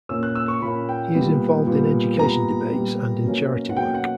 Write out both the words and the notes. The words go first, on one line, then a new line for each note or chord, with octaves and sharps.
He is involved in education debates and in charity work.
A#2 A#3 C#4 E6
F#6
E6
C#6
A#2 A#3 C#4 B5
G5
A#2 G3 B3
A#2 G3 B3
A#2 G3 B3 A#5
A#2 G3 B3
B2 F#3 A#3 C#4
F#5
B2 F#3 A#3 C#4 G5
F#5